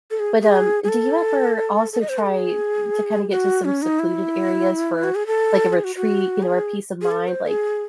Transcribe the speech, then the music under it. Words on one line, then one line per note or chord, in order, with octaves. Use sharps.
But, um, do you ever also try to kinda get to some secluded areas for, like, a retreat, you know, or peace of mind, like,
A4
G#4
G#4
G#4
A4
A4
D#5
C5
A4
G#4
F#4
C#4
D#4
E4
F#4
G#4
A4
G#4
F#4
F#4
G#4
G#4
A4
C5
G#4